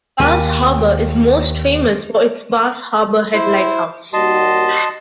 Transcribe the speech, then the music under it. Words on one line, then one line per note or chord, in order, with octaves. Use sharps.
Bass Harbor is most famous for its Bass Harbor Head Lighthouse.
D#2 G#5
E4 C5
D#2 G3 F#4 D#5 A5 C6